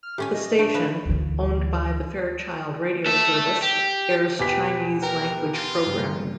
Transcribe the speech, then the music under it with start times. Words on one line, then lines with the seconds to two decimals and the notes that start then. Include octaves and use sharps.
The station, owned by the Fairchild Radio service, airs Chinese language programming.
0.03 F6
0.18 A2 C#4 G4 G#5
0.34 D#5
0.59 A3 D4
0.74 F3 B4
1.06 D2 E3
3.06 A4 E5
3.62 G4
4.39 E2 B2 G4 B4 G5 C6 B6
5.02 A#4 B4 G5 A#5
5.54 F4
5.86 G2 C#3 F3